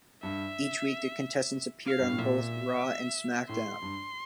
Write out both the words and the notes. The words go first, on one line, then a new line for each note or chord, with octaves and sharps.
Each week, the contestants appeared on both "Raw" and "SmackDown!".
G2 E5
F5
G2
A2
A#2 E5
A2 C6
G2